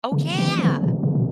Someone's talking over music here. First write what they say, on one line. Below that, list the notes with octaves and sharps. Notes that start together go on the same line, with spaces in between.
Oh, yeah.
C#3
E3
E3
C#3
B2
C#3
B2